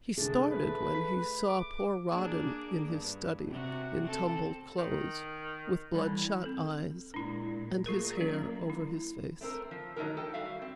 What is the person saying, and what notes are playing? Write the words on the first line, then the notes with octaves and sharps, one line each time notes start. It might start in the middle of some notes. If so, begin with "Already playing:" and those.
He started when he saw poor Rawdon in his study in tumbled clothes, with blood-shot eyes, and his hair over his face.
C2 D3 A3 D4 G#4
B4
B6
D6
A#3 D4 G#4
G2
C3 F#4
C4 A4
D#3
D3 E3 G3 E4
C4 A4
A#2 G#3 D4 E4
A3 A#3 F4 G#4 A#4
F#3 C#4
E4
A3 C4 A#4
F3
D#3 F#3 A3 D#4 G4 A#4
A4 G5
G3 F#4 E5 F5
C4